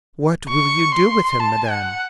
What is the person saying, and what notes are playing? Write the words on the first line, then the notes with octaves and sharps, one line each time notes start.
"What will you do with him, madame?"
C#6
C6
A5
F#5